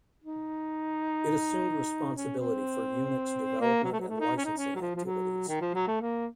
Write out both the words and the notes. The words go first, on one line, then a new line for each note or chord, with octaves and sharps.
It assumed responsibility for Unix development and licensing activities.
D#4
C#4
C4
A#3
F#3
A3
F#3
A3
D#4
C#4
D#4
C#4
F#3
F3
F3
F#3
D#3
F3
F#3
A3
A#3